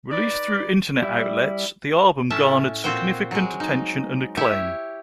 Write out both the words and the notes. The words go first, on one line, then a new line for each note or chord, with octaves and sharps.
Released through internet outlets, the album garnered significant attention and acclaim.
D#4 B4 D5
G3 E4
A2 C#4 E5 A5
A#2 C4 F#4 C5 G5
F#3 G#3
D#4
E4 G4 C#5 E5